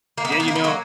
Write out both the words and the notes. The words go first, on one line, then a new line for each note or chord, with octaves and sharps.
Yeah, you know,
A#3
B3
A#3
B3
A#3
B3
F#3 A#3